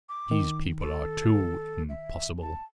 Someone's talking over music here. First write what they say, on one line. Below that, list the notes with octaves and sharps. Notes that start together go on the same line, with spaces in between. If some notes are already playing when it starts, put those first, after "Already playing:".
These people are too impossible.
D6
D#3
A4
E5
A5